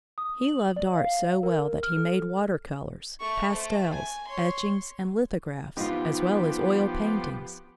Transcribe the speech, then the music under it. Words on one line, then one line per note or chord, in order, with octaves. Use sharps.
He loved art so well that he made water-colors, pastels, etchings, and lithographs, as well as oil paintings.
D#6
F#7
D5
F5
A#4
F6
A4
A3 C#6
A3 C5
G#5
C#5 C6
F3 B3 D#4 F4 G4